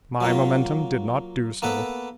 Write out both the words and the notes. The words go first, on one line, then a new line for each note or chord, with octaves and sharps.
My momentum did not do so.
F#3 A#3 F4
A#3 B3 A4 B4